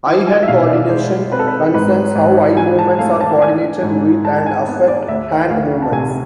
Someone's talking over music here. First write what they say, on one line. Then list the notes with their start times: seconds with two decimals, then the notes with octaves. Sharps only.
Eye-hand coordination concerns how eye movements are coordinated with and affect hand movements.
0.07 E4
0.27 G#5
0.43 E5
0.48 B2 F5
0.69 D5
0.90 G#3 C5
1.32 C4 B4
1.39 A4
1.48 B4
1.74 G#2 B4
2.16 G#2
2.57 E3 G#5
2.79 A5
2.99 A3 F5
3.21 A5
3.41 D4 G#5
3.83 G#2
4.25 G#3 A5
4.38 A5
4.46 G#5
4.67 B3
4.88 D5
5.08 D2 E5
5.50 D2 F5
5.82 A5
5.92 C3 G#5